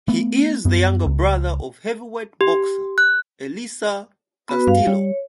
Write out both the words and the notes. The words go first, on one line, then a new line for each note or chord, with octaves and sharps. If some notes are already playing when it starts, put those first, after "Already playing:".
He is the younger brother of Heavyweight boxer Elieser Castillo.
A3 B3
F#2 B3
C#2
G4
F#6
B3 F#4 B4
G2 F5
G3 C#5